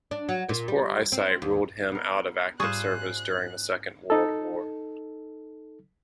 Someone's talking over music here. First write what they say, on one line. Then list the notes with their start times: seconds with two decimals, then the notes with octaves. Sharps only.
His poor eyesight ruled him out of active service during the Second World War.
0.11 D4
0.29 F#3
0.49 A#2
0.68 G3
1.12 C4
1.42 D#2
1.91 B3 A#4
2.60 G#2 G3 F4 G#4 C5 C#6 F#6
4.10 D#4 A4